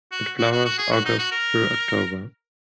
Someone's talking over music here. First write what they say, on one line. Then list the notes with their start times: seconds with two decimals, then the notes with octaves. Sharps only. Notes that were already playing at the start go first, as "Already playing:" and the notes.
It flowers August through October.
0.12 F#4
0.38 F#4
0.52 F#4
0.65 F#4
0.78 G#4
0.92 F#4
1.05 D#4
1.18 F#4
1.31 A#4